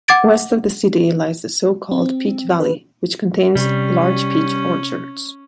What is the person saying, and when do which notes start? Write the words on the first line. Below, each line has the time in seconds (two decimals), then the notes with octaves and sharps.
West of the city lies the so-called Peach Valley which contains large peach orchards.
0.08 F#5 D6 G#6 A6 D7
1.91 C4
2.60 B4
3.55 C3 G3 C#4